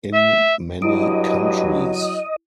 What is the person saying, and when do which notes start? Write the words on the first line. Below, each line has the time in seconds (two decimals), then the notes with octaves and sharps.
In many countries.
0.13 E5
0.82 G2 F#3 E4 D#5 D7